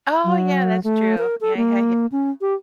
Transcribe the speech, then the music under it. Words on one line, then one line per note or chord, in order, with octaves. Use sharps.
Oh, yeah, that's true. Yeah, yeah,
F#3
A3
A#4
A4
A#3
C#4
G4